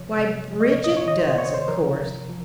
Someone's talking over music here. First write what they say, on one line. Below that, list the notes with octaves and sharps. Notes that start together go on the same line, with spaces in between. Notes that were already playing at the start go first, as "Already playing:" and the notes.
"Why, Bridget does, of course."
Already playing: C3 F3 C#5
C3
F3
D#5
C#5
A#2
D#5
C#5
D#3 D#5
C5
C#5
C3 C#5
C5
F3 A#4
C3
F3